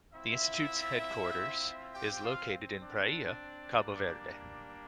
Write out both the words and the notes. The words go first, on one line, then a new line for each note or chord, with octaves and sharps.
The Institute's headquarters is located in Praia, Cabo Verde.
C4 E4 F4 E5
G4 G5
F4 F5
D4 D5
G3 A#3 D4